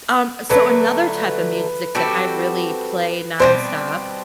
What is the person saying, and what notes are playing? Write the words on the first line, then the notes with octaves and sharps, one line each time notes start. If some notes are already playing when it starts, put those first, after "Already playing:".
D um, so, another type of music that I really play nonstop,
D3 F#3 A3 B4
G3 C4 F#4 A4
B2 G3 C4 C5